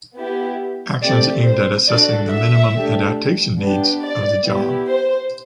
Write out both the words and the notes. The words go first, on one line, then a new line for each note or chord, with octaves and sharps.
Actions aimed at assessing the minimum adaptation needs of the job.
B3 E4 G4
A3 C4 G4 D5
C5
D4 F#4 A4 D5
E5
A3 D4 G4
B3 D4 G4
D5
B3 E4 G4
C5